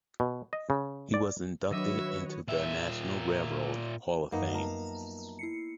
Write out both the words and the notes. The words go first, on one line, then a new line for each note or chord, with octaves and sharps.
He was inducted into the National Railroad Hall of Fame.
B2
D#5
C#3
D5
D#3 F#3 D4 F#4 B4 C#5 D#5 E5
A#2 E5
F#2 F3 A#3 B3 D#4
A#4 A5 A#5
E4 C7 C#7